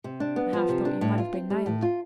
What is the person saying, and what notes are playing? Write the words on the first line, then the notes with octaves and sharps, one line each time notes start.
I half thought you might have been nailed.
C3
D4
B3
F3
C3
D4
A2
F4
C4
G3
A2
F4